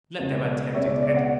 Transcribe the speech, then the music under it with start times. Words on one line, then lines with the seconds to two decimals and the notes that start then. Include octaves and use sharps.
"Let them attempt it, and...."
0.19 C#2 B2 G#3 B3
0.74 C#2 B2 G#3 B3 C#5 E5
0.89 D5
1.03 D5
1.17 D5 F#5